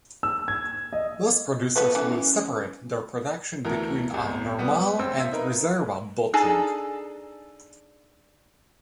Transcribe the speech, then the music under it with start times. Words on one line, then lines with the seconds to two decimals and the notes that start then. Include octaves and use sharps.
Most producers will separate their production between a "normale" and "riserva" bottling.
0.23 E6
0.48 G#6
0.93 D#5
1.76 F3 A3 B3 B4
1.95 E3 A3 C#4
3.65 D2 E3 A#4
4.14 G1 C2
4.59 G3 B3
4.99 A1 C4 C5 E6
5.18 E5 F5
5.32 D#4 A#4 B4
6.34 D4 D#4 G#4 A4